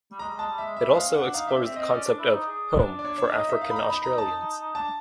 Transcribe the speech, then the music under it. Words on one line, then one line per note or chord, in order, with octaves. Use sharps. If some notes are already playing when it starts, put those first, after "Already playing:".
It also explores the concept of "home" for African Australians.
G3
G#3 A#5
G3
G#3 A5
G3
G#3 E5
G3 E5
G#3 F5
C#4
F#5
D4
D#4 F5
D4 E5
C4 E5
C4 D#5
C#4 D5
D4
E4
D#4
G#4
D4
D5
D4 C#5
C#5
D#4 D#5
E5
F5
B5
A#5
B5
A#5
A5
D4 A5